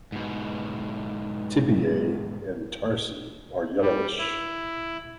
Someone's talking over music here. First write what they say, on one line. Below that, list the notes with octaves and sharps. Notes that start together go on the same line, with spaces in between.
Tibiae and tarsi are yellowish.
G#2 B2
G3
E4